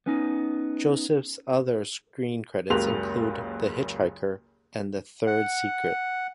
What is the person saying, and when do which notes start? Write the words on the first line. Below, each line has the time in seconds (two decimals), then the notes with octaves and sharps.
Joseph's other screen credits include "The Hitch-Hiker" and "The Third Secret".
0.06 B3 C#4 D#4
2.70 F#1 C#2 A#3 F#4 G4 F7
5.27 F#5